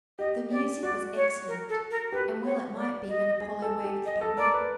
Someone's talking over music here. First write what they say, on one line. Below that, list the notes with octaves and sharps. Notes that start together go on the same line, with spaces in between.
The music was excellent, and well it might be when Apollo waved the baton.
G4 D#5
G4 D5
F#4 D5
C#5
A#4
A4
A#4
G4 B4
C#5
D5
D#5
G#4
A4
G4
D#5
A4
A#4 D5
B4